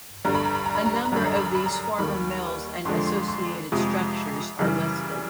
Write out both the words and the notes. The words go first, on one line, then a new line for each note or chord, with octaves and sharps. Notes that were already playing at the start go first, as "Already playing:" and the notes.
A number of these former mills and associated structures are listed.
G2 D3 G3 A#5
B5
A#5
B5
A#5
B5
A#5
B5
A#5
F#2 D3 G3 B5
A#5
B5
A#5
B5
A#5
D#2 D#3 G3 B5
F2 D3 F3 G#3 C6
C6
C6
F2 C3 F3 G#3 D#6
F#2 C#3 E3 G3